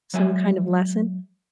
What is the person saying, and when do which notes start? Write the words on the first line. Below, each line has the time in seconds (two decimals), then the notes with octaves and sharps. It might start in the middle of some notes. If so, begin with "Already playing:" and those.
some kind of lesson?
0.14 F#3 G#3 E5 G#5